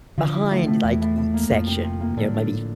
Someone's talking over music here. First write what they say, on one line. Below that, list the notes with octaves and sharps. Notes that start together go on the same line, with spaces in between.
behind, like, each section, you know, maybe,
D3 F3
E4
A2
A3
E2 E3
A2
A2
A#3
F2 F3
C3
C3
A#3
A2 D3
D4